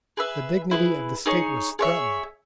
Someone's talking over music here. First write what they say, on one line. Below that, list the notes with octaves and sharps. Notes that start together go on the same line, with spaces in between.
The dignity of the State was threatened.
G#4 B4 E5
E4 G#4 B4
D#4 G#4 C#5
G#4 C#5 E5